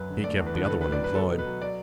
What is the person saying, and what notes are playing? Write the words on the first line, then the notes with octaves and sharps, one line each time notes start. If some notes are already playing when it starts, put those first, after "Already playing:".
He kept the other one employed.
Already playing: F#2 F#3 B4
D3
A3 D5
E2
B4
D3
B4
B3 A4
B4
A2
D5
F#3 B4
B3 A4
B2
B4
F#3
F#3 D5